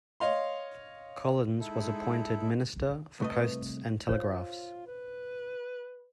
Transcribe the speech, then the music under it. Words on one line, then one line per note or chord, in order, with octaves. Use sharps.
Collins was appointed Minister for Posts and Telegraphs.
C#5 D#5 F5 C6
G#3 D#4 E4 A4
C2 A3 B4 D#5
F4 C5 C#5
B4